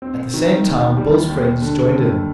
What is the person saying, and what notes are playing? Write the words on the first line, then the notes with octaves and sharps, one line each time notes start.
At the same time Bill's friends joined in.
C4
D#3
D#2
G3
D#2
D3
D#2